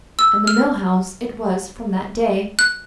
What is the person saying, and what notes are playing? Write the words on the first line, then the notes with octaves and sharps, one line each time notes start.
And the "Mill House" it was from that day.
E6
F6
F#6